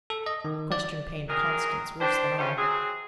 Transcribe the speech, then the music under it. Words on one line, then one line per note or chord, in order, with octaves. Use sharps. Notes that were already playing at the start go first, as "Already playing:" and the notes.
The question pained Constance worse than all.
A4
D#5
D#3
D5
D#3 F#3 G#4 A#4
D4 G4 C5
F2 G3 A3 C#4 G4 C5
C3 F#3 C4 G#4